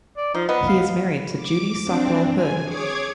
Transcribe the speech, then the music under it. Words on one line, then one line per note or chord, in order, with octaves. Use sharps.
He is married to Judy Sockwell Hood.
D5
F3 D#4
B3 D#5
F5
D6
C4 D4
G#5
G#4 C#5 D6 G#6